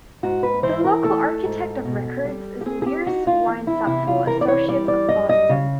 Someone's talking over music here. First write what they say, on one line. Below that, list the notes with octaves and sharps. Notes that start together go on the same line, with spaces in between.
The local architect of record is Leers Weinzapfel Associates, of Boston.
G#2 F#4
B4
E3 C5
A#4
A3 A4
G#2
B2
G3
G4
C4 G#4
G#4
G4
D#4 F#4
F4
E2
E4
C3 E4
F4
E3 A#4
D5
C#5
G3 D5
D5
F#2 D#5
D#5
C#3